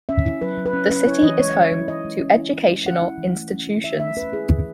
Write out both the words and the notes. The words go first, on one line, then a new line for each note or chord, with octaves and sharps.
The city is home to educational institutions.
C#4 E5
E4
F#3 B4
F#3
B4
C#4
C#4 B4
E4 C#5
E3 D#5
G#3 C#5
C#4
E4
E3 D#5
G#3
C#4
E4
E3
G#3
C#4 F#5
E4
E3
A3
C#4
E4
E3 E5
A3 E5
C#4 B4
E4 G#4
E3